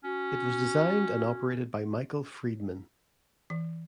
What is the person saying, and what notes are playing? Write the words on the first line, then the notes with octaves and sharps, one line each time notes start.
It was designed and operated by Michael Freedman.
C#4 F#4
E3